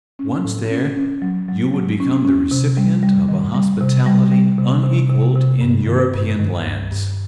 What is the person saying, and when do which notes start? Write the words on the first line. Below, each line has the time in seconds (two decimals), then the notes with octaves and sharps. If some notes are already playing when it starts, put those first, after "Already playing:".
Once there, you would become the recipient of a hospitality, unequalled in European lands.
0.19 C#4
0.44 A2
0.71 C#4
0.96 C#4
1.22 F#3
1.49 F#3
1.74 F#3
2.00 C#4
2.25 C#4
2.51 C3
2.77 G3
3.03 G3
3.29 D#3
3.54 G3
3.81 C3
4.06 G3
4.32 G3
4.58 C3
4.84 C3
5.10 C3
5.36 C3
5.61 G2
5.87 D#3
6.14 G2
6.39 D#3
6.65 G2
6.91 G2